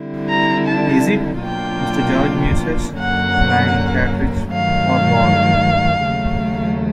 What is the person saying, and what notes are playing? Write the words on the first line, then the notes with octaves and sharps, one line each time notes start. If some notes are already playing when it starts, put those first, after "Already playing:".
"Is it," Mr. George muses, "blank cartridge or ball?"
Already playing: D3 G3 C4 E4
A#5
A5
B2 F#3 A#3 D4 F4 G5
F#2 D3 F#3 A#3 C#4 F#5
G2 D#3 F#3 A3 F5
D#2 C#3 F#3 A3